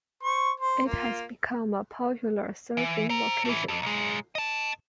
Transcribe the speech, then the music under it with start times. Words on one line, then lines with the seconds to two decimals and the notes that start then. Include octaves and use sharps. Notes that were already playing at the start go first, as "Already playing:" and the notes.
It has become a popular surfing location.
0.23 C5 C#6
0.60 C5
0.86 A#3 F4
2.77 E3
3.09 C5 A#5
3.45 A2 E3
3.68 F2
3.82 B1 G#3
4.35 D#5 A5